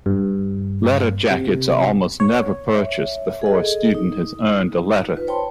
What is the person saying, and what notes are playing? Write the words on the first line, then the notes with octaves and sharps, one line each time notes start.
Letter jackets are almost never purchased before a student has earned a letter.
G2
C3
C#5
C#5 E5
G#4 A4 D#5
D#4
F4 B4
C5 C#5 G5 A5 B5 C6